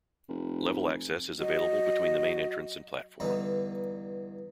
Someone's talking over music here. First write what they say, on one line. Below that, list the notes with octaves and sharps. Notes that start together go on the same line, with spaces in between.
Level access is available between the main entrance and platform.
F1
F#3 D#5
E2 G2 D3 B3 D#4